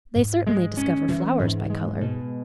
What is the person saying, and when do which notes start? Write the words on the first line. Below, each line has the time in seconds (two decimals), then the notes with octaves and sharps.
They certainly discover flowers by colour.
0.15 G#2
0.47 G#3
0.77 C#4
1.08 E3
1.39 G#2
1.70 G#3
2.01 B2